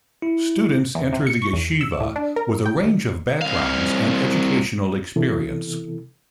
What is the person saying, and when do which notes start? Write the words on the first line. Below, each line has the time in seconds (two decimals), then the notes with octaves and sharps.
Students enter the yeshiva with a range of backgrounds and educational experience.
0.22 E4
0.95 E2
1.13 C3
1.27 C#7
1.42 C#6
1.53 E2
1.81 E6
2.00 A2
2.16 D4
2.36 A#4
2.66 G5
2.84 D#2
3.41 C2 F5
5.16 C3 E3 B3 E4 A4